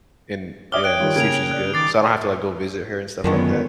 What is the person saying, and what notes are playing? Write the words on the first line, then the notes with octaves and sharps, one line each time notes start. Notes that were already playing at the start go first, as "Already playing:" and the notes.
and, yeah, see if she's good. So I don't have to, like, go visit her and stuff like that.
C#5 D5 E5 D6 D#6 F6 G7
C#5 G5 F#6 D7
D#3 G3 F4
C#3 A#3 G#6 D7 F7
D5 F#6
D#3 D6 A6 C7
F#2 A#2 D3 D#3 G#3 A3 B3 C#5